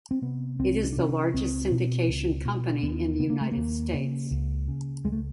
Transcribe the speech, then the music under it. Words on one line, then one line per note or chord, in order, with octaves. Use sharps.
It is the largest syndication company in the United States.
C4
C3 B3
C2 C4
C#4
D4
C3 C#4
C#4
C#2 C4
B2
C#2
B2
D#2 B3
C#3 B3
A#3
A3
D#2 A#3
C#3
C#2
C#3
C#2 G#3
A3